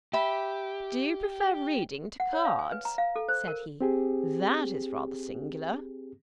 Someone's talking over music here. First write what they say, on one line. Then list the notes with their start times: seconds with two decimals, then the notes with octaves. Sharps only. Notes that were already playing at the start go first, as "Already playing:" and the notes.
"Do you prefer reading to cards?" said he; "that is rather singular."
0.13 G4 E5 B5
2.20 F#5
2.33 C#5
2.45 F5
2.59 G#5
2.72 B4
2.85 A#5
2.98 F5
3.16 A4
3.28 C5
3.48 A#4
3.81 C4 G4 G#4